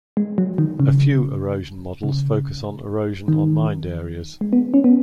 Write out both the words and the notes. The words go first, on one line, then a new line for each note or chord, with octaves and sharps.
A few erosion models focus on erosion on mined areas.
G#3
F#3
D#3
C#3
C#3
D#3
G#3
B3
C#4
B3